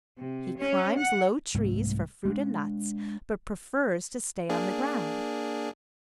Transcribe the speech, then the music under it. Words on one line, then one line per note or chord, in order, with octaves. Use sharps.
He climbs low trees for fruit and nuts, but prefers to stay on the ground.
C3
C#4
F#5
C2 G#2 A3
G#3 C#4 D4
A#3 D4 G#4